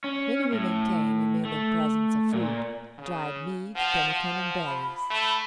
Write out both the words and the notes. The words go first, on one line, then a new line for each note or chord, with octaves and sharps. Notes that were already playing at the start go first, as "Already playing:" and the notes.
Many women came and made them presents of food, dried meat, pemican, and berries.
C#4
A2
A3
A#2
C#3
F3 F#5
F3
B5
A3